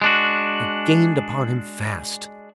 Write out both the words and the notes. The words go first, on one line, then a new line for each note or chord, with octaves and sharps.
It gained upon him fast.
G#3 D4 F#4